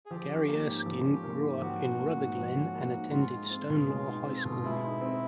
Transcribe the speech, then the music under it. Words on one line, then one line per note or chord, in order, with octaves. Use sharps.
Gary Erskine grew up in Rutherglen and attended Stonelaw High School.
G#4
F3 G4
C#4
A#3
G#2
F3
C#4
A#3
G#2
F3 F#4
C#4
A#3
G#2
F3
C#4
A#3
G#2
G#3 F4
D#4
C4
B2
G#3
D#4
C4
B2
G#3 E4
D#4
C4